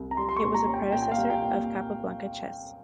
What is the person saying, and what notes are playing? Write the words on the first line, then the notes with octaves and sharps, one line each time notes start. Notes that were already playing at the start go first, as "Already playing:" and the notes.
It was a predecessor of Capablanca chess.
Already playing: C2
A#5
G3 C6
C6
C#6
A#2
A#5
C#4
G5
A#2 G5
G5
F5
G3
G5
A#2